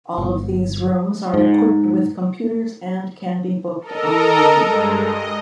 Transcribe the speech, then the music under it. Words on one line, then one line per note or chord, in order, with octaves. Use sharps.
All of these rooms are equipped with computers and can be booked online.
G1
G#2
A4 A#4 D#5 A#5
G2 G#3
D#5